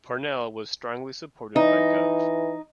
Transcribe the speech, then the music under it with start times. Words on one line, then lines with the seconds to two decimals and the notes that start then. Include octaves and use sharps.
Parnell was strongly supported by Gov.
1.56 E3 D#4